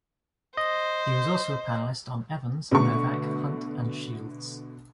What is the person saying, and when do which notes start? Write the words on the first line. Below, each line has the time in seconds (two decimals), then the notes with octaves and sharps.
He was also a panelist on Evans, Novak, Hunt, and Shields.
0.57 C5 D#5
2.71 B2 D3 A3 C#6